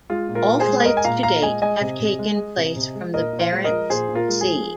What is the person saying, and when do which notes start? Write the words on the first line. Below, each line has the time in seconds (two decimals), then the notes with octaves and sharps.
All flights to date have taken place from the Barents Sea.
0.10 G#3 F4
0.29 A#2
0.35 F4 A#4
0.48 A#2
0.60 G#4 C5
0.67 G#3
0.85 G#3 A#4 D#5
0.97 G#5
1.05 A#2 F5 A#5
1.23 A#2 F5 A#5
1.42 G#3 D#5 G#5
1.62 G#3 D#5 G#5
1.81 C3
2.00 C3
2.19 G#3
2.37 G#3
2.57 C3
2.76 C3
2.95 G#3
3.14 A#2 A#4 D#5
3.33 A#2
3.39 C5 F5
3.52 G#3
3.64 A#4 D#5
3.71 F3
3.90 A#2 G#4 C5
4.08 A#2
4.15 F4 A#4
4.28 G#3
4.41 G#4
4.47 F3